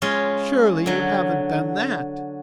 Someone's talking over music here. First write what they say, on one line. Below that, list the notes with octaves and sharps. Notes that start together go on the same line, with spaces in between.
"Surely you haven't done that?"
G#3 C#4 F4
D3 F#3